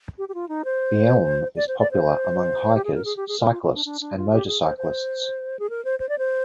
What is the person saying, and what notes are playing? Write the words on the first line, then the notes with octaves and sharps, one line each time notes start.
The Elm is a popular among hikers, cyclists, and motor cyclists.
G4
G4
F4
D#4
C5
D5
C5
D5
C5
G4
G#4
A#4
G#4
G4
G#4
A#4
F4
F4
D4
D4
D4
F4
G4
G#4
C5
C5
G#4
A#4
C5
C5
D5
C5